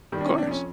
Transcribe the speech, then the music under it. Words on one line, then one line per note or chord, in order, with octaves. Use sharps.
Of course.
D#3 G3
D4
C3 C#4
D4
F2 C#4